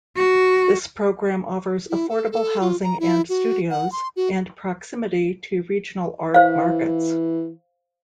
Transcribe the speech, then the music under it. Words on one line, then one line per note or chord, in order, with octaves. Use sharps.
This program offers affordable housing and studios, and proximity to regional art markets.
F#4
E4
A4
A4
F4
A#5
E4
F#4
F#5
C6
F#4
E3 C5 F5